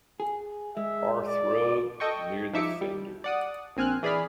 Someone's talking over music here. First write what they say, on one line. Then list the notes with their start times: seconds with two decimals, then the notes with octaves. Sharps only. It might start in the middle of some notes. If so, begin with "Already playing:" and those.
Hearthrug, near the fender.
0.20 G#4
0.77 G#3 E5
1.27 D5
2.00 A4 D#5 G5 C#6
2.53 F3 D#4 E5 D6 C#7
2.81 G3
3.24 D5 F#5 D#6
3.77 A#1 C4 G#5 F6 F#6
4.03 E3 G#4 D5 B5 F6